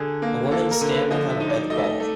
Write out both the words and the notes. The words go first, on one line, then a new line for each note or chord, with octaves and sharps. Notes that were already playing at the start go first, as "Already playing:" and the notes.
A woman standing on a red ball.
Already playing: D3 G#4
A#3
A#3 A4
A#4
D3
B4
F3 D#5
E5
D#4
D5
A3 D#5
E5
D#5
A3